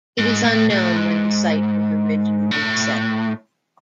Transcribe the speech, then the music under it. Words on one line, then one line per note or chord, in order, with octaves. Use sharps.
It is unknown when the site was originally settled.
G#2
A2
A2
G#2
A2